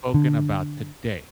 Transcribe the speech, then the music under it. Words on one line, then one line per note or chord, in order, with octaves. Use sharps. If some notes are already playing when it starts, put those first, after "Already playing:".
spoken about today,
D3